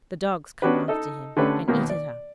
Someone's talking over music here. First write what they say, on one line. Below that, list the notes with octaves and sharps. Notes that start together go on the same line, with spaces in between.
The dogs come after him, and eat it up.
B3 C#4 D4 F#4 G4 B4
D#4 A4 D#5
D3 A3 C#4 D4 G4 B4
D#2 B2 D#3 A#3 B3
D5